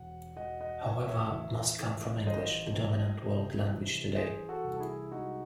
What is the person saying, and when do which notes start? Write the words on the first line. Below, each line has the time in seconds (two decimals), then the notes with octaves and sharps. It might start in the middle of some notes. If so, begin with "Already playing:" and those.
However, most come from English, the dominant world language today.
Already playing: E1 F#5
0.37 E1 D#5 F#5
0.61 D#5 F#5
0.84 E1 C#5 E5
1.08 C#5 E5
1.32 E3
1.79 E3
2.27 A1 C5 D#5
2.74 A2
3.22 C3
3.69 E3
4.16 E3 G#4 C5
4.49 F#4 A4
4.64 C2
4.72 A4
4.80 E4 G#4
5.12 G#3 D#4 F#4